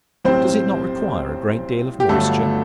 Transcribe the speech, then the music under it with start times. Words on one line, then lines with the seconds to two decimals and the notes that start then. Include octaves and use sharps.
Does it not require a great deal of moisture?
0.25 B1 A2 G3 C4 C5
2.00 G4
2.09 G1 G2 D3 F#3 A3 A4